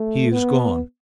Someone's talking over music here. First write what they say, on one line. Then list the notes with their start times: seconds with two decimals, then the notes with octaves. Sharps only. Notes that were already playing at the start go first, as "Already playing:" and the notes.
He is gone!
Already playing: A3
0.32 B3